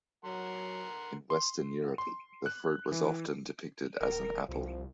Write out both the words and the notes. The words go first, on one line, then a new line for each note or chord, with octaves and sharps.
In Western Europe, the fruit was often depicted as an apple.
F#3 A#4 F#5 C6
C6
C6
F#6
E3
D#1 A#4
C2 F3